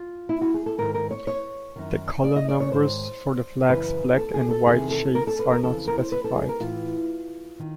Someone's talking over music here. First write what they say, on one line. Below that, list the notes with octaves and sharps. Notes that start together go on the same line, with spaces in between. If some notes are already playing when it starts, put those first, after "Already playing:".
The colour numbers for the flag's black and white shades are not specified.
Already playing: F4
E4
F#4
G#4
A4
G#2 D#3 A#4
A#4
C#5
C#5
F#2 D#3
D5
D#5
D5
C#5
G#2 D#3 C5
F#2 C#3 E3 B4
A4
G#4
A4
E2 C3 D#3 G#4
A4
A#4
A4
B4
A#4
F2 C#3 E3 A4
A#4
C5
B4
A4
G#4
A#4
A2 E3 F4
D#3